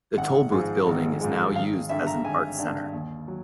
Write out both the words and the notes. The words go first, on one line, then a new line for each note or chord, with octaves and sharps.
The Tolbooth building is now used as an Arts Centre.
G#1 F#5
G#2 F3 G#3
G#1
G#2 F3 G#3
G#1 F5
G2 D3 E5
A#5
G#1 G#5
G2 D3
D#2
F#3